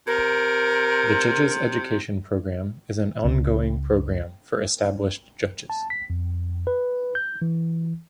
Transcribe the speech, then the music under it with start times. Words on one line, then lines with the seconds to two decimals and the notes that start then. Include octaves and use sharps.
The judges education program is an ongoing program for established judges.
0.07 C3 A#4
3.24 C#2
5.70 A5
5.90 B6
6.10 F2
6.67 B4
7.15 G6
7.42 E3